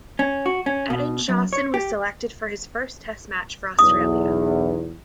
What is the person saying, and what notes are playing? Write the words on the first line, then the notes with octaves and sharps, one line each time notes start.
Ettingshausen was selected for his first test match for Australia.
C#4
F#4
C#4
B2
F#2
C#5
G4
B1 E2 D#6